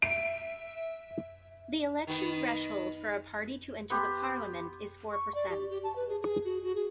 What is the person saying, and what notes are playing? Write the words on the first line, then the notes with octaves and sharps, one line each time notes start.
The election threshold for a party to enter the parliament is four per cent.
E5 D7
D#3 B3
B3 G4 C6
C#6
D5
G4
G4
A5
B4
G#4
G#4
F#4
F#4
G#4